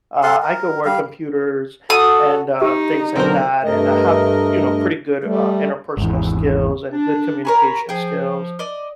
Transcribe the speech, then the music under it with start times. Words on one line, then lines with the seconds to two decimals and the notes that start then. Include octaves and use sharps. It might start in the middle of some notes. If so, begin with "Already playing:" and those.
Uh, I could work computers and, uh, things like that and I have, you know, pretty good, uh, interpersonal skills and good communication skills.
0.23 A4 F5 F#5 C6
0.42 A#4
0.85 G3 F5
1.90 F#4 A4 D#6
2.62 D#4 G4
3.16 B1 D3 C4 F#4 A#4 C5
3.64 G2 A3 A#4 D#5
5.24 G3 A3
5.97 G#1 E2
6.92 D4
7.45 A#4 C#5 G#5 A#5 B5
7.89 F3 G#4 G5
8.59 D5 D#5